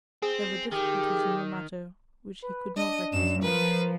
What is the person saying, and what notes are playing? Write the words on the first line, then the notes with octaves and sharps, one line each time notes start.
There were difficulties in the matter which he could not reconcile.
C4 G#4
D#3 G4
B4
D4 D#5
F#2 E7
F3 A#4 B4